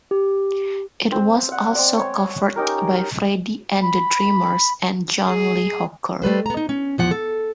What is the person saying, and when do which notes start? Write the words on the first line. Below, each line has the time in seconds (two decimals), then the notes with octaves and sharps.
It was also covered by Freddie and the Dreamers and John Lee Hooker.
0.11 G4
1.12 C4
1.52 F#5
1.75 C4 D5
1.97 C#5
2.56 C#4 D#4 G4 A#4
3.83 B5
5.28 G#4
6.22 G3 A3 B4 C5
6.46 B3 A#5
6.57 D#4
6.69 C#4
6.98 E2 F3 F#5
7.11 A4